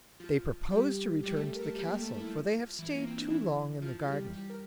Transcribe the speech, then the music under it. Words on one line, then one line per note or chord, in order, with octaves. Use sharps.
They propose to return to the castle, for they have stayed too long in the garden.
F3 F4
G3 G4
G3 G4
A3 A4
A#4
A3 A4
G3 G4
A#3 A#4
A3 A4
A3 A4
E4
F3 F4
E3 E4
A#3
C4
D4
E3 E4
F3 F4
F4
G3 G4
G3 G4
A#4